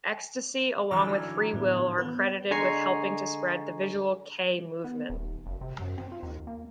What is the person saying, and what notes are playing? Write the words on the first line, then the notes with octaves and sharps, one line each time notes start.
Extasy along with Free-Will are credited with helping to spread the visual kei movement.
D3 E3 F#3 A#5 D6 F6
A2 B3
B3 B4
D3 G#3 G#5 A#5 C#6 C7
B3
D#1
F#1
C3
F#2
C4
F4
D#2
A#3